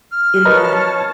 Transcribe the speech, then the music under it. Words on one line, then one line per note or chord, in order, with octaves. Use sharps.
in that,
F6
A#4 B4 C#5 D#5 A5